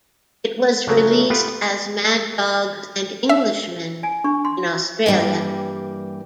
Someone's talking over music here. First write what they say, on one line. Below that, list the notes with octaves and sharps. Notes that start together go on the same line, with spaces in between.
It was released as "Mad Dogs and Englishmen" in Australia.
C#3 F3 F#3 A3
B3 F4 G4
E5
G#5
D4 C#6
C6
G2 E3 G3 A#3